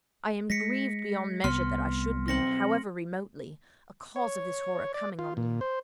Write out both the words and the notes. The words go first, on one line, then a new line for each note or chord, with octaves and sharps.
I am grieved beyond measure that I should be, however remotely, a cause of this horror coming on you.
G#3 A#6 B6 C#7
C2 B3 C6 F6
B1 C4 C5 A#6 C#7 F#7
C#5
D5
F4
A#2
C5